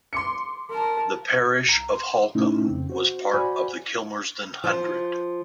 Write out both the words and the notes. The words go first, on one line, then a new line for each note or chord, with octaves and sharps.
The parish of Holcombe was part of the Kilmersdon Hundred.
C6 D6 C#7
A#4 A5
C2 A#5
C6
A2 C3 A3 C#4 D#4 E4
F2 C#3 C4
F#4 C5
F#4 C5 D5 G#5 B5
F3